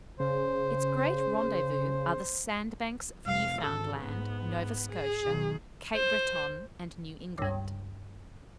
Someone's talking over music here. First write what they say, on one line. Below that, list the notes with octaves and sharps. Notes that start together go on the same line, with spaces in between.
Its great rendezvous are the sandbanks of Newfoundland, Nova Scotia, Cape Breton, and New England.
C#3 C5
F1 F5
G#1 A4
G#2 B3
G#4
B1 D#3
C5
C#2 G2